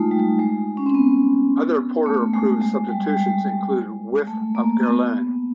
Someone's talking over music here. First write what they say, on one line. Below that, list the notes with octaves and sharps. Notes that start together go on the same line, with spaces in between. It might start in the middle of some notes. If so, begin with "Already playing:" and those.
Other Porter-approved substitutions include whiff of Guerlain.
Already playing: G#3 A3 D#4 F4
G3
G#3
C#4
C4
B3
A3
G#3
G#3
G3
G3
G#3
A3
A#3
B3